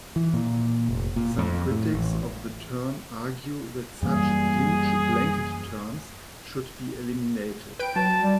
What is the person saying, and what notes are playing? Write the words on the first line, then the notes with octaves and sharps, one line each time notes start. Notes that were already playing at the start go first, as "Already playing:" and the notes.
Some critics of the term argue that such "huge blanket terms" should be eliminated.
E3
A#2
F1
A#2
F2
A2
A1
F#2 E3 G3 A#3 G#4
B4 G5 D7
F#3 A5
G3